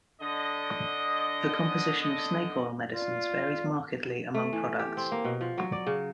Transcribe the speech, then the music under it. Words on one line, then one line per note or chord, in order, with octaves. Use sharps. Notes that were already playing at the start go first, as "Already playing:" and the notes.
The composition of snake oil medicines varies markedly among products.
D3 D#5
F4 D5
A3
E3
G4
C4
A#3
B2
F3
F#3
D5
C#3